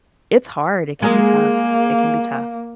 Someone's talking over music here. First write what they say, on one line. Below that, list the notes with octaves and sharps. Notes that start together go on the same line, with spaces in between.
It's hard, it can be tough, it can be tough.
G#3 A#3 G#4 A#4